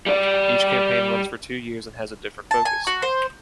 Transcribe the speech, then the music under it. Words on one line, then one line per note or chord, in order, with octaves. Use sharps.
Each campaign runs for two years and has a different focus.
G3 D5
A5
G#5
F#4
C5